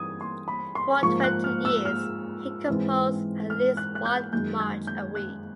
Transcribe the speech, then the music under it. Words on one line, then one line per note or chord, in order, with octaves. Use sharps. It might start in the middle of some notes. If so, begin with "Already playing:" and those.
For twenty years he composed at least one march a week.
Already playing: G2 E3 G3 C4 D#4 D#6 G#6
C6
B5
C6
G#2 F3 A#3 C#6
F#6
F6
E6
F6
G#2 E3 G#3 C4
F6
F#6
F#6
G6
F#2 D#3 G#3 G6
G#6
G6
F#6